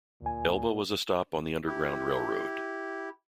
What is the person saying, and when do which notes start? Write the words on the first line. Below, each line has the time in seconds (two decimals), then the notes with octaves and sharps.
Elba was a stop on the Underground Railroad.
0.22 D2 A#2 G#5
1.67 E4 G4